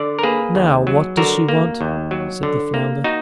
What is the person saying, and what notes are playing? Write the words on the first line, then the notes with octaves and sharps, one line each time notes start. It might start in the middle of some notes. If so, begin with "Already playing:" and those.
"Now, what does she want?" said the flounder.
Already playing: D3 D5
A#4
A#3 G#4 B4
D#2
F#3
D3 F#4 A#4
A#3
D#2
F#3
D3
A#3
D#4 F#4